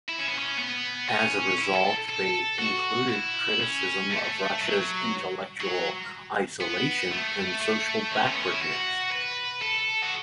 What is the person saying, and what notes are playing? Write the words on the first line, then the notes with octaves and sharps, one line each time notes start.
As a result, they included criticism of Russia's intellectual isolation and social backwardness.
E4
C#4
B3
C#4
B3
C#4
E4
A4
A4
F#4
E4
C#4
A3
F#3
F#3
B3
A3
A3
C#4
A3
B3
C#4
E4
F#4
B4
A4
F#4